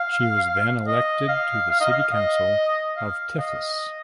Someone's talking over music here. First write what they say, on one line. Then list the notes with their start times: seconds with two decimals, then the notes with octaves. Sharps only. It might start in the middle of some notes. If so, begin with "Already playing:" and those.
She was then elected to the city council of Tiflis.
Already playing: F5
0.87 D#5
1.28 F5
1.70 F5
1.81 D#5
1.91 F5
2.13 D#5
2.97 F5
3.39 D#5